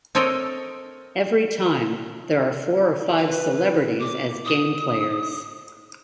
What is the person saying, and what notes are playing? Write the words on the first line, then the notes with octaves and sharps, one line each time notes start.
Every time, there are four or five celebrities as game players.
C4 A4 A#4 C#5 D#5 G5
B4
D6
D#6